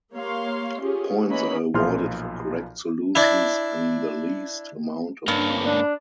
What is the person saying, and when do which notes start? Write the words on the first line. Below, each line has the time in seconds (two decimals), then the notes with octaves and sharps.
Points are awarded for correct solutions in the least amount of time.
0.12 A#3 G4 C#5 F5 C6
0.82 C#4 F4 G4 G#4
1.27 E3 A#3 C#4 C#5 D#5 B5
1.74 B1 A#2 F3 F4 C6 F6
3.15 D4 E4
5.28 G2 A#3 C#4
5.66 D4